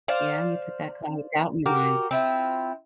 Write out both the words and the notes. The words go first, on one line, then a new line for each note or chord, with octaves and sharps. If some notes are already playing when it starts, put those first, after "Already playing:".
yeah, you put that cloud of doubt in your mind.
C5 D5 F5
F#4 G4 A#4
C4 E4 F4